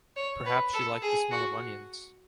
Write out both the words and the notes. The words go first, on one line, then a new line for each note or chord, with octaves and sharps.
Perhaps she liked the smell of onions!
C#5
B4
A4
G#4
F#4